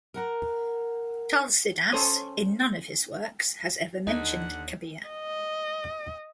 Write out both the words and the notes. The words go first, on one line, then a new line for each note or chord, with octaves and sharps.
Tulsidas, in none of his works, has ever mentioned Kabir.
A#4 F#5 A#5
C#4 A4 C5 C#5 D#6
D#2 D3 D#4 D#5 F#5
D#5